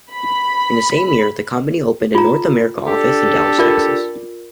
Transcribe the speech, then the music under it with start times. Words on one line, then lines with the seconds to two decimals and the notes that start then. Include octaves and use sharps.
In the same year, the company opened a North America office in Dallas, Texas.
0.12 B5
2.15 F4 A#5
2.86 D4 G4 A4
3.58 F4 A#4 D5